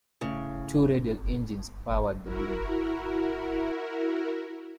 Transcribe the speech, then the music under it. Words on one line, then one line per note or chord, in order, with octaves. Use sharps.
Two radial engines powered the blimp.
A2 C#3
E4 F#4 A#4